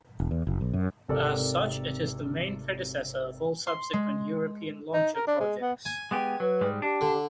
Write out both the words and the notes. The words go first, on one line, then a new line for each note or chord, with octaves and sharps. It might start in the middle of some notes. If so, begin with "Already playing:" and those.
As such it is the main predecessor of all subsequent European launcher projects.
E1
E2
F#1
B1
F#2
G#1 C3 A4 A#4 D5
C6
G#3
D#4
A#4
D4
G#3
B3
G#5
G#3 B3 G4
F#3 B4
G#2 G3 G#3
D4 G4
D3